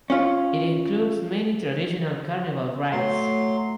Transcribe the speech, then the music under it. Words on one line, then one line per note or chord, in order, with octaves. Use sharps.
It includes many traditional carnival rides.
C#4 F4
A2 F#3 C6